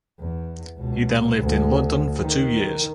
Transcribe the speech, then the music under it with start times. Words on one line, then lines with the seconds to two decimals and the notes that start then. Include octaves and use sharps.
He then lived in London for two years.
0.20 E2
0.77 C#2 B2
1.39 D2
2.20 D#3